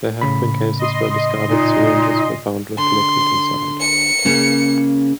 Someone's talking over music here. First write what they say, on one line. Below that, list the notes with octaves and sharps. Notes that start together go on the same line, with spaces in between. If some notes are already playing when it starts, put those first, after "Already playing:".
There have been cases where discarded syringes were found with liquid inside.
A2 C#3 B5
D#5 C6
A#2 D#4
D3 C6
C#7
C#3 A#3 C#4